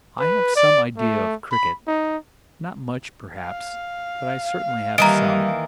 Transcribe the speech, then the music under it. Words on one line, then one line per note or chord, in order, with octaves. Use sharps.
I have some idea of cricket--not much, perhaps, but I certainly have some.
B4
D5
A3
B5
D#4
F5
D#3 E3 G3 A#3 A#5 D7